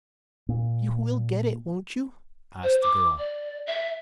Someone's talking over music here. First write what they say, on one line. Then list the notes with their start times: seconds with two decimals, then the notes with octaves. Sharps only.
"You will get it, won't you?" asked the girl.
0.49 A#2
2.63 C5
2.82 D6
3.19 D5
3.67 E5